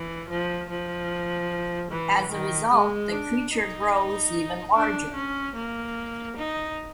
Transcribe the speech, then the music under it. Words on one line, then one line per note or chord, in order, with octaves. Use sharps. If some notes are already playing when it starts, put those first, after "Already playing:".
As a result, the creature grows even larger.
Already playing: E3
F3
F3
E3
D#3
G#3
D4
D#4
D4
C#4
A#3
D#4